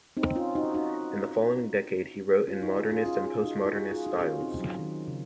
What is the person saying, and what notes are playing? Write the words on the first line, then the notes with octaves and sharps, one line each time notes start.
In the following decade he wrote in modernist and post-modernist styles.
C4 D#4
C#4 F4
D#4 F#4
D#4 F#4
C#4 F4
D#4 F#4
F4 G#4
F4 G#4
C#4 F4
F4 G#4
F4
D#4 F#4
D#4 F#4
F4 G#4
F4 G#4
D#4 F#4
C#4 F4
C4 D#4
F#3
D#3
C#3